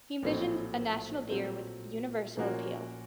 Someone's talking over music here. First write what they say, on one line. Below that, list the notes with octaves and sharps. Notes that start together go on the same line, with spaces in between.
He envisioned a national beer with universal appeal.
A#1 A2 F#3 A3 C4
A#2 F#3 A3 C4
A#2 F3 A#3 C#4 F#4